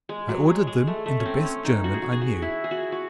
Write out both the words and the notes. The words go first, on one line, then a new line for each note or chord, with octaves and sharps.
I ordered them in the best German I knew.
G#3
F#3
G#3
G#3
A3
A3
C#4
C4
C#4
D#4
F#4
G#4
F#4
G#4
F#4
E4
G#4
F#4
F#4